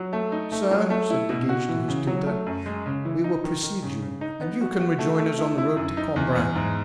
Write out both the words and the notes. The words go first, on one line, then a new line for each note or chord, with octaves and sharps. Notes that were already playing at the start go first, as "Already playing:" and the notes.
"Sir," said De Guiche to his tutor, "we will precede you, and you can rejoin us on the road to Cambrin."
Already playing: F#3
A3
D#4
A3
F#3
A3
E4
B2
F#4
E3
C#3
F#3
A3
F#2
G#3
C#3
E3
D#4
D#3
D#3
C#3
C#3
D#4
B3
F#4
F#4
A3
A3
E4
E4
F#2
D#4
E2
E2
G#2